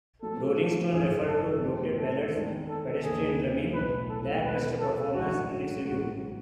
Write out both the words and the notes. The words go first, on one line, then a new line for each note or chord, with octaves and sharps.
"Rolling Stone" referred to "bloated ballads," "pedestrian drumming" and "lackluster performances" in its review.
A2 F#3 A3 E4 A4
G#1 F#2 C#3 G#4
A4
A2 F#3 B3
A4
E2 D#3 G#3 B3
A4
D#2 C#3 E3 G#4
B1 A2 E3 B4
A4
E2 B2 G#3 B4
A4
A1 G#2 F#3 C#4 E4 F#4
A1 G#2 F#3 F#4